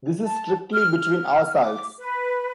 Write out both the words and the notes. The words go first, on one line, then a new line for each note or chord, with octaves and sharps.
This is strictly between ourselves.
A5
F6
F6
D6
B4